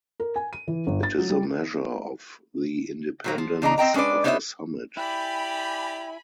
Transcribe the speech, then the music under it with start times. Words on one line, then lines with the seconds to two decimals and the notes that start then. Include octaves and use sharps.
It is a measure of the independence of a summit.
0.20 A#4
0.36 G#5
0.53 D#7
0.68 E3
0.87 G1
1.03 A6
1.18 F#3
1.30 G3
3.24 A#2 F#3 A#3
3.38 F3
3.62 C#3 D4 D#5 A#5
3.78 C4 D#5 G5 A#5
3.94 G#3 C#4 D4 B4 D5
4.24 B3 D#4 C5 C#5 D#5 E5
4.97 E4 G4 D5 G5 G#5 B5